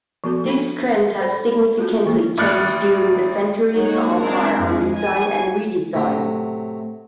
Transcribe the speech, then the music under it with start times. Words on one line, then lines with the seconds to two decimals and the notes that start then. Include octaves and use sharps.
These trends have significantly changed during the centuries of firearm design and re-design.
0.24 F3 B3 F#4 A4
0.48 D4
1.19 A4 C5 D5 B5
1.52 B5
1.78 A3 F4 F#4 A4
2.05 E3 A#3 G#4
2.38 A1 D5 F6 F#6 C#7
3.72 F#3 G#3 A#3 D#4 F#4 C#5
4.20 G#3 C4 D4 A#4
4.60 F2 G#3
4.98 G#5
5.94 A2 C3 F#3